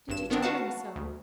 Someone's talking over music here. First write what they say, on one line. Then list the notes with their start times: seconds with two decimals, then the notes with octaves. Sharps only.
"Did you tell him so?"
0.08 G#1 G2 E7
0.30 D#3 B3 C4 D4
0.43 F#4 B4 F5 F#5 A5
0.96 D2